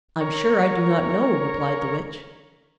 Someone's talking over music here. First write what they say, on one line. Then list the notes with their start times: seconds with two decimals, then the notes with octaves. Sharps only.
"I'm sure I do not know," replied the Witch.
0.20 A#4 C#5